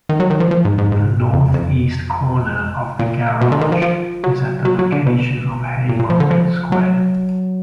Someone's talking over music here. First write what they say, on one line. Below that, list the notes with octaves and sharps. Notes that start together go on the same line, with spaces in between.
The northeast corner of the garage is at the location of Haymarket Square.
D#3
F#3
D#3
F3
F3
G#2
G#2
G#2
F2
F2
A#2
B2
D3
D#3
F3
F3
F#3
F#3
F#3
D3
B2
A#2
A#2
F3
D3
F3
F#3